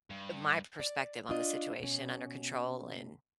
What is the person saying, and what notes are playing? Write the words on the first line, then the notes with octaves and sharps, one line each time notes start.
My perspective on the situation under control and
G2
D5
D4 F4 D5 D#5
B2 C#4